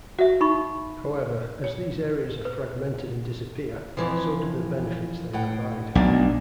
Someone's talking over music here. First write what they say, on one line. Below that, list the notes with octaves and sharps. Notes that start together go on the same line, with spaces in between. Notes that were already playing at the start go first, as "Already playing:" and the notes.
However, as these areas are fragmented and disappear, so do the benefits they provide.
F#4 E5 F#5
D#4 B5 C#6
C#5
B4
F2 E3 F3
A2 F#5 G5
B1 A3 A#3 D4